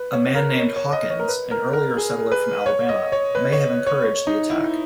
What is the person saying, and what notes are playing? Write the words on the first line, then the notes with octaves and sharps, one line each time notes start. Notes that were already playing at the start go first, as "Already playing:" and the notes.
A man named Hawkins, an earlier settler from Alabama, may have encouraged the attack.
Already playing: B4
C#5
A#4
C#5
C#5
D#5
C#5
A#4
B4
A#4
A#4
G#4
B4
C#5
D#5
C#5
B4
C#5
C#5
C#5
D#4
E4